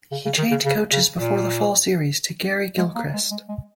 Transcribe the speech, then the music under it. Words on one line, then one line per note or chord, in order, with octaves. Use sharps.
He changed coaches before the fall series to Gary Gilchrist.
C#3
C#3
D#3
C#3
C#3
C#3
A#2
G#3
A#3
G#3
G#3
G#3